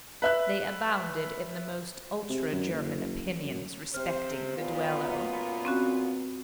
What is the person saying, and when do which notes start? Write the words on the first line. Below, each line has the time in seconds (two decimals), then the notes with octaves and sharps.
They abounded in the most ultra German opinions respecting the duello.
0.22 B4 E5 F#6
2.29 C3
2.52 F#2
2.71 F#1
3.44 F#2
3.94 C3 C5 F6
4.58 F#2 A#2 B3 F4
5.65 C4 C#4 F#4